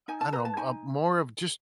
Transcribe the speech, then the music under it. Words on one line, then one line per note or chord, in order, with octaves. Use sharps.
I don't know uh, a more of just
D#4 G#5
A5
B4 A#5
A5
D#4 G#5